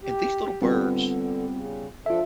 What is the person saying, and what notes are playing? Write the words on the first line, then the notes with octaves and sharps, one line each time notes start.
And these little birds,
G4
D3 G3 B3 C4 F4
C#3
F3 D4 F4 A4 E5